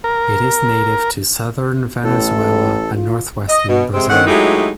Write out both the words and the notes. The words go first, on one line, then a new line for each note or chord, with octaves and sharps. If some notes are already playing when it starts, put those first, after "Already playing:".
It is native to southern Venezuela and northwestern Brazil.
A#4
A1 A2 A4
F4
D#5
B2
C3 G#3 C4
A2 D#3 C4 C#4 F#5
F#3 G#3 A3 D#4 E4 G4